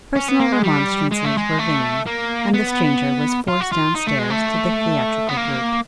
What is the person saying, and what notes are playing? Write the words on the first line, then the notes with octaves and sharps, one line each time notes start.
Personal remonstrances were vain, and the stranger was forced down stairs to the theatrical group.
C#4
B3
A#3
G#3
G3
G#3
A3
G#3
A3
A#3
B3
F4
F#4
F4
D#4
A3
G#3
A3
B3
A#3